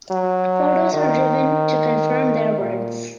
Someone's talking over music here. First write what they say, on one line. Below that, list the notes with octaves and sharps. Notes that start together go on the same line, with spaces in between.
Photos are driven to confirm their words.
F#3
D#3
A#2